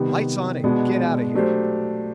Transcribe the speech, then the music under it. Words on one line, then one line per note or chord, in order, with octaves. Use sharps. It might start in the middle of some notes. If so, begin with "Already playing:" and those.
"Lights on and get out of here!"
Already playing: C3 D#3 G3 B3
B2 G#3 B3 D4 F#4
F#3 A3 D4 G4 C5